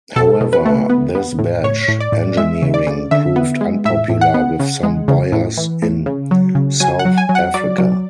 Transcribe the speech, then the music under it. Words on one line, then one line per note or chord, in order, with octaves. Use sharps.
However, this badge engineering proved unpopular with some buyers in South Africa.
B2 A4
B2
B4
A3
B3
B3
A2
A2 C#5
A2
D5
A2
G#3 E5
C#3
D5
C#3
D3 E5
B3
G#3
A2 E5
A2
F#5
B3
C#3
G#3
C#3
A2
E3
A2
C#3
F#3
C#3
F#3 G#5
F#5
F#3
G#5
F#3
F#5
F#3 D5
F#3